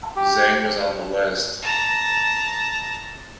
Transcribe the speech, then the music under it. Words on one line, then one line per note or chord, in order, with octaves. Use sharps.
Zheng was on the list.
G4
A5 A#5